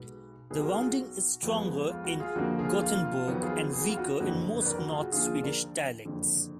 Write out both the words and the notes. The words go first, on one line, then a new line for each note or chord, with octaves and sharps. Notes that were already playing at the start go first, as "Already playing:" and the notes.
The rounding is stronger in Gothenburg and weaker in most North Swedish dialects.
Already playing: B1 B2 G#3 B3
B1 B2 F#3 G#4 B4
F#4 A#4
F4 G#4
F#4
F2 F3 G#3 B3
F4
F#4
F4 G#4
F2 D3 F3 A#3 F#4
F4 G#4
F4
F4
F2 D#3 F#3 B3
F4 G#4
G#4
F#4
F4
F#4
F#1 F2 D3 F#4
B4
A#4 D5
F#4
F4 G#4
F#4
D#2 D3 F3 F4 G#4
F4 G#4
A#4 D5
F#1 F2 D3